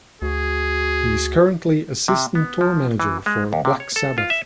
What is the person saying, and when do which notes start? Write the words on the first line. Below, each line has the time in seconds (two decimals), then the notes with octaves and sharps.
He is currently Assistant Tour Manager for Black Sabbath.
0.22 D2 F#4 G#4
2.08 C3
2.35 B3
2.61 F3
3.00 E3
3.26 G#3
3.53 D#2
3.65 C3
3.80 C#5
3.96 A4
4.18 F4
4.30 E5